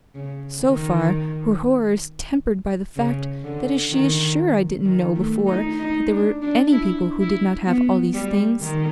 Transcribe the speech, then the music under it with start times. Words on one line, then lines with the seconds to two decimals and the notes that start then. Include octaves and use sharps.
So far her horror is tempered by the fact that she is sure I didn't know before that there were any people who did not have all these things.
0.15 C#3
0.62 D#3
2.96 C#3
3.44 D3
3.90 D#3
4.85 D#3
5.16 A3
5.47 D#4
5.79 D#4
6.10 D4
6.42 D4
6.72 E4
7.20 E4
7.67 B3
8.14 G3
8.61 D#3